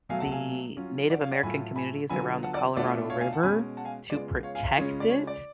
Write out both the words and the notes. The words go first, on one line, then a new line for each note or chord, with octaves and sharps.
the Native American communities around the Colorado River to protect it,
B2 F#3 A3 F5 G#5
F#5 A5
F5 G#5
F#3 C#4 F4
D5 F#5
C#5 F5
D5 F#5
A2 F#3 A3 F4 G#5 B5
G#5 B5
D3 F#3 B3 F4 G#5 B5
F#5 A5
D5 F#5
B2 A3 D4 F4 D5 F#5
C#5 F5
F5 G#5
F#5 A5
B2 G#3 C#4 G#5 B5
F#5 A5
F5 G#5
C#3 G#3 B3 F4 D5
C#5 F5
F5 G#5
C#5 F5
C#3 G#3 C#4 F4 C#5
D5
C#5
D5